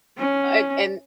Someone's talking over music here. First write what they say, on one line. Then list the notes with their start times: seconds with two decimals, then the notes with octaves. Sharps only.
and and
0.18 C#4